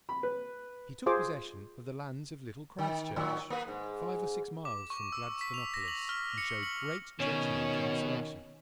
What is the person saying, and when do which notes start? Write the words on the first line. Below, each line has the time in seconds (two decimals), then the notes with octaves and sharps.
He took possession of the lands of Little Christchurch, five or six miles from Gladstonopolis, and showed great judgment in the selection.
0.09 B5
0.23 B4
1.06 F4 G#4 C5 D6
2.78 D#3
3.16 A2 D#3 F#3
3.50 A#3 B4
3.68 G#2
4.65 D6
4.90 C#6
5.12 E6
5.41 B6
5.54 F7
5.74 A#6
5.88 F#7
6.09 F6
6.38 C#7
6.63 F#7
7.20 B2 D#3 C#4